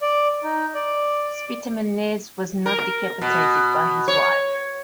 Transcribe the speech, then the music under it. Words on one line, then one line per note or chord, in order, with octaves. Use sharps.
Spitamenes was not decapitated by his wife.
D5
D#4
D5
A#4
B2
C#5